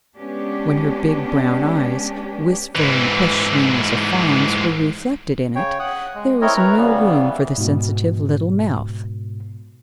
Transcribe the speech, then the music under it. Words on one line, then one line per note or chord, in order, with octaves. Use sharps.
When her big brown eyes, wistful and questioning as a fawn's, were reflected in it, there was no room for the sensitive little mouth.
G#3 B3 C#4 D4 G4
G#2 E3
C#3 C#5 G5
F#5 D#6 F#6
G#3
A3 C4 E4 A#4 C#5 D#5
A#4 B4 C#5 A#5
C#3 E3 G3 B3
G#2 B2